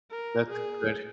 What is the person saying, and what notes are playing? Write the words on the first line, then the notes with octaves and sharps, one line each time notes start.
That's good.
A#4
G#4